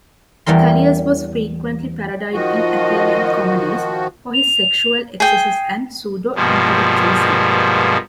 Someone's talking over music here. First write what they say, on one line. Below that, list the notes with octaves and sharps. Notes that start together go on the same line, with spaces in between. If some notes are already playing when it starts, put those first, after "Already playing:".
Callias was frequently parodied in Athenian comedies for his sexual excesses and pseudo-intellectualism.
E2 E3 G3 A#4 C6
D#3 F3 F4 F#4 D#5
F7
G#4 G5
G2 B2 F3 G#3 A#3